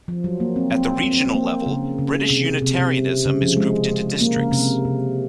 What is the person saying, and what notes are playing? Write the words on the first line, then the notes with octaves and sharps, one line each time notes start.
At the regional level, British Unitarianism is grouped into Districts.
F3
F#3
A#3
C4
C4
C4
C4
C4
A#3
C#3
C#3
C3
C3
C3
C#3
F3
G#3
A#3
C#3
C3
C3